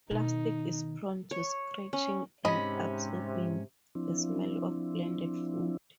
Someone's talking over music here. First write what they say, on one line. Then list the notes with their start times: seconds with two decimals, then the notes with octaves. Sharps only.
Plastic is prone to scratching and absorbing the smell of blended food.
0.11 B2 D#3 D#4
1.31 C#5
1.93 C#4
2.45 G#2 C3 C#4 D#5 B5
3.95 F3 C4 D4 E4